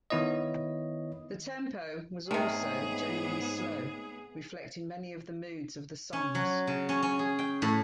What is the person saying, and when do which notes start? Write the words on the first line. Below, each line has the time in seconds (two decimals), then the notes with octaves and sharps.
The tempo is also generally slow, reflecting many of the moods of the songs.
0.10 D#3 B3 E4 C#5 D#5
2.31 G#2 C3 D#3 G#3 A3 B3 G#4 C#5
6.13 C#4
6.35 F#3
6.67 C#3
6.89 C#4
7.03 C#4
7.19 G#4
7.39 G5
7.62 A2